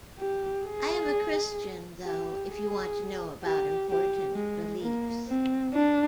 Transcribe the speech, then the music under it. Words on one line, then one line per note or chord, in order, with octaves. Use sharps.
I am a Christian, though, if you want to know about important beliefs.
G4
G#4
G4
G#4
G4
G4
G#3
A#3
C4
D4